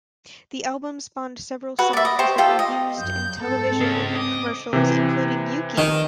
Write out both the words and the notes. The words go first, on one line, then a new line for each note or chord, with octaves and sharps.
The album spawned several songs that were used in television commercials, including Yuki!
F#4 B4
D5 E5
D#5
G4 C5 C#6
F4 G4 A4
D#5
F#2 G6
G#2 C4 A4
G#3 C#4
D#5 D6
C3 E3
D#3